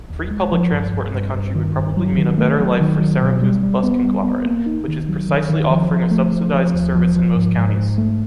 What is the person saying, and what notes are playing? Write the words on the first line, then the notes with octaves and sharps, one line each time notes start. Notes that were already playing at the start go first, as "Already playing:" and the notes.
Free public transport in the country would probably mean a better life for Sarapuu’s bus conglomerate, which is precisely offering a subsidized service in most counties.
D#2
G#3
F3
G2
G2
G2
G2
D#3
G2
F#3
D#3
A3
F#3
D#3
F#3
B2
G3
G3
B3
G3
B3
A#3
D#4
D#3
F#3
D#3
D#3
F3
F3
A3
F3
F3
D#2
F3
F3
G#2
G#2
G#2
A3